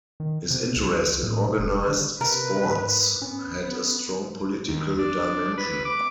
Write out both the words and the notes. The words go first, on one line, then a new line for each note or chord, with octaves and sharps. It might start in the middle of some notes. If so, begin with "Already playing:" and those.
His interest in organised sports had a strong political dimension.
D#3
C3
C2
A2
A#2
F1
D3
C3 A#4 B4
G#2
B3 C#4
D#2
D4
B4
D6